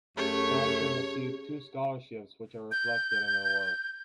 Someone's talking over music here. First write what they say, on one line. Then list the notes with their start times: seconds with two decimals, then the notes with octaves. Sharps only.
Fountain received two scholarships which are reflected in her work.
0.17 F#2 A3 C#4 G4 G#4 C#5
2.71 G6